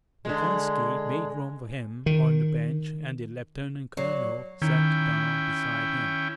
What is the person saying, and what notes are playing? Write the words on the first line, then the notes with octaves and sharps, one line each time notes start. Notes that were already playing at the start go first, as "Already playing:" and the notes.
Bolkonski made room for him on the bench and the lieutenant colonel sat down beside him.
D3 G#3
D#3
F#3 D5 C7
D#3 C#4 E4 G5